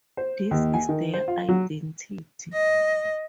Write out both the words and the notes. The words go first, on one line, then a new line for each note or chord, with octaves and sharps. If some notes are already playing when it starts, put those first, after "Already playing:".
This is their identity.
C5
D#2
G#5
D#3
C5
F4
F#3
D#5